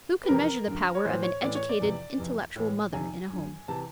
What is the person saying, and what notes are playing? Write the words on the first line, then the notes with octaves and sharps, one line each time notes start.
Who can measure the power of an educated, intellectual mother in a home?
B4
F2 C3 E3 A#4
F#2 D3
C#5
A2 E3 C5
C#5
A2 E3 D5
C#5
D5
F2 C3 E3
F2 C3 E3
A2 E3
F2 C3 D#3 G#5
F#2 D3
C3 E3 A5